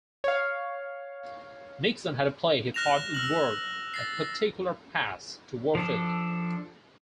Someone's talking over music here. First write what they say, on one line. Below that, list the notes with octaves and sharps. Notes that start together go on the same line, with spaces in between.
Nixon had a play he thought would work, a particular pass to Warfield.
C#5 F5
F6 F#6 A#6 E7 F7
E6 F6 F#7
A6 A#6 C7
F3 D4 A4